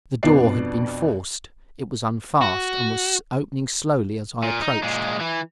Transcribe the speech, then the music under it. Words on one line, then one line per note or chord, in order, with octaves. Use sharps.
The door had been forced; it was unfast and was opening slowly as I approached.
F2 B2 B3 D4 D5 C7
F#4
A#2
D#4
A#2 G#3
E3